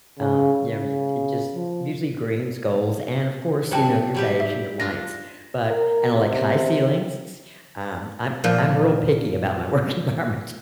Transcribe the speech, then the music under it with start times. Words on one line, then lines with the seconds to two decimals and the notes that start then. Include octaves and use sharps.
Um, you know, y it just usually greens, golds, and, of course, you know, your beige and your whites, but and I like high ceilings, s um, I'm I'm real picky about my work environment.
0.19 C#3
0.67 C#3
1.55 F3
3.71 F#3 G3 F#4 C5 G5 A5
4.14 F#3 G3 G4
4.40 E5
4.80 D4 F4 A#6
5.69 A#4
6.15 C3
8.44 A#2 F3